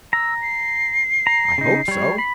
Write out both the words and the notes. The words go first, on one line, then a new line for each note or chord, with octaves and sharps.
"I hope so."
A#5 E6
C7
A#5
C#3 D#4
G3 C#5
B5